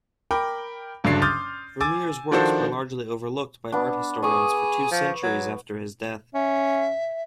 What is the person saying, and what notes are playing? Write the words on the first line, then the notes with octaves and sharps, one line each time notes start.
Vermeer's works were largely overlooked by art historians for two centuries after his death.
A#4 G5 B5 D6
F#1 G2 D3 F#3 D4 C7
C6 D6 D#6 F6 G6 A6
G#5 D6 E6 A6
D#3 F3 D4 F#4 A4 C5
B3 D4
G#4 C#6 D#6
F3
F#3
C#4 E5